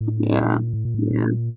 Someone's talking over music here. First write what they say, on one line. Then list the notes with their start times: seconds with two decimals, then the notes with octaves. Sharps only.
Yeah. Yeah.
0.01 A2
0.38 A#2
0.73 A2
0.85 A#2
0.94 A2
1.11 A#2